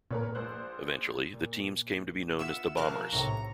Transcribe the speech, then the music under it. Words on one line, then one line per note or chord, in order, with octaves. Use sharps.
Eventually, the teams came to be known as the Bombers.
A#2 A#4 B4 C#5
A#1 C5 F#6
A#2
B3 F4 E5 E6
B2 F3 A#4 F5 F6 F#6
B1 A2 C3 C#5 A#5